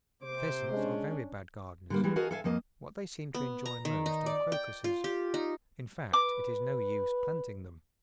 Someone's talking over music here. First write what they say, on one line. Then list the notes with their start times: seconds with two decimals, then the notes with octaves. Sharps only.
Pheasants are very bad gardeners; what they seem to enjoy most are Crocuses--in fact, it is no use planting them.
0.23 C3 C5 D6
0.71 G#3 C#4 D4
1.90 D3 G3 A#3
2.04 E3 G3 G#3
2.16 F#4 A4 A#4 D#5 F5 G#5
2.31 A4 D5 E5 F5 G#5
2.44 F2 F3 A#3 D#5
3.35 B3
3.66 A#5
3.85 D#3
4.06 D#4
4.26 D5
4.52 G5
4.84 F4
5.04 G4
5.34 D#4
6.13 B4 D6